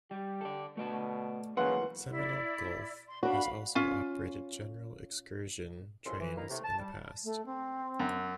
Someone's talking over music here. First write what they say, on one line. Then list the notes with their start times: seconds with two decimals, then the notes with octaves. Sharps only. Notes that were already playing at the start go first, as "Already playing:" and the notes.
Seminole Gulf has also operated general excursion trains in the past.
0.11 G3 G4
0.41 A4 D5
0.77 B2 A3 D5 A5
1.57 E2 C#3 F#3 A#3 B4 F#5 C6
2.09 E4 D5
3.07 C6
3.23 D4 F#4 F5 B5
3.75 C#4 F4
6.05 C2 F2 C#3 A4 A#4 C6
6.20 E3
6.37 G2 A#3 D#4 E4 A#5
6.49 A2 C3 A3
6.65 A5
6.79 G3
7.23 A3
7.45 C4
8.00 F#2